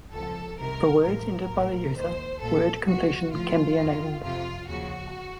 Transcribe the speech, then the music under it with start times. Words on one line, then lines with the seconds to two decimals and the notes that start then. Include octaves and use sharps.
For words entered by the user, word completion can be enabled.
0.13 C#2 C3 F3 A4
0.59 C2 C3 D#3 A#4
1.05 A1 A2 F3 A#4
1.50 A#1 A2 F3
1.95 D#2 D#3 C5
2.41 A#1 A#2 F3 A4
2.87 C2 A#2 F3 F#4
3.32 A1 A2 F3 F4
3.77 F2 D#3
4.23 F2 C3 F3 F4
4.68 D#2 C#3 F3 F#4